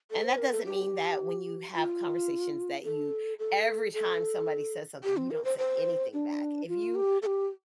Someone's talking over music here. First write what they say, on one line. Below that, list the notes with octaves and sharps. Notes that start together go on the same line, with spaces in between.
And, that doesn't mean that when you have conversations that you every time somebody says something, you don't say anything back, if you
A4
C5
A#4
A4
G4
F4
A4
A4
A4
G4
C4
A#4
C5
C5
D4
F4
G4
A4
G4